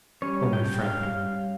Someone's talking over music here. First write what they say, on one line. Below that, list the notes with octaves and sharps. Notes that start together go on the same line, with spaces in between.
Oh, my friend!
G3 C#4 C#5
G5
F5